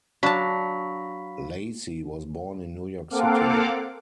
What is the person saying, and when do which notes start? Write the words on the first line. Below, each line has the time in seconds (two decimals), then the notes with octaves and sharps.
Lacy was born in New York City.
0.23 F#3 D4 F5 A5 B5 B6
3.10 A#3 C4 A4 F5 F#5 D6